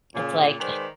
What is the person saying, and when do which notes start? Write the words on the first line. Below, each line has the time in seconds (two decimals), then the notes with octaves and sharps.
it's like
0.15 A#2 C#3
0.60 D#3 G#3 B4 C5 D5